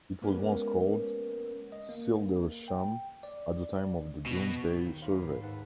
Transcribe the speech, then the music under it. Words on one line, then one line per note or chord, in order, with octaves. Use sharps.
It was once called "Cildresham", at the time of the Domesday survey.
G#3 A#3 B3 C#4 G4 A#4
D#5
A#3
G5
D5
B2
D#2
A#4 C#5 F5 B5 C6
G#2 G#4 B5 C7
A4 B4 F#5 B5